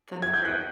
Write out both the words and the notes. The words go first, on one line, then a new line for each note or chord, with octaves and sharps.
That's great.
G#6
G6
F#6